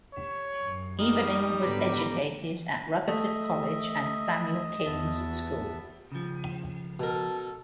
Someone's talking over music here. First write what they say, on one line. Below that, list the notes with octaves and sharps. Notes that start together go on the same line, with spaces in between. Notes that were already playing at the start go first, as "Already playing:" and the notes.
Eveling was educated at Rutherford College and Samuel King's School.
C#5
F#2
G3 D#4 A#4
G#2 D3 B3 B4 A#5 D6
A3 D#5 E5
E2 B3 E5 A5
C#3 F3
B2 A4 A#4